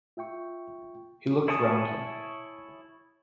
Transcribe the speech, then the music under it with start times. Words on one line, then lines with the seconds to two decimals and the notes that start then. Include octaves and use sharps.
He looked round him.
0.17 F4 E5 G5 C#6
1.48 E4 C#5 G#5 A5 D#6